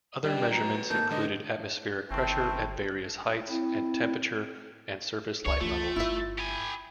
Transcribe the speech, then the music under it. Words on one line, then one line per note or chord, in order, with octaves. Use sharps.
Other measurements included atmospheric pressure at various heights, and temperature, and surface light levels.
G3 D4 G4 B4 D#5 G5
F#3 A#5
G#1 D#3 A#3 A5 G6
D3 G#3 B4 D#5
G1 C4 E4 G5 A5 C#6
C4 E4
C#2 G#3 C#5 D5
F#1 E3 A3 F4
G1 E4 E5
G4 G#5 B5